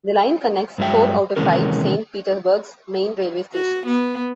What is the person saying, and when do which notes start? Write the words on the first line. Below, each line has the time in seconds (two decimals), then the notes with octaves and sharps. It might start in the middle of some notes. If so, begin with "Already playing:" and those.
The line connects four out of five Saint Petersburg's main railway stations.
0.78 G2 F#3 G#3 E5 G5
1.36 C3 D#3 E3 G#3 C#4 A#4
3.53 F#4
3.86 B3